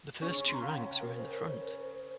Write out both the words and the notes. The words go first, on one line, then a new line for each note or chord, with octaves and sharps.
The first two ranks were in the front.
C#3 C#4 C#6
C6
A#5
F5
G5
C#5
A#4
C5
A#4
C5
A#4
C5
C5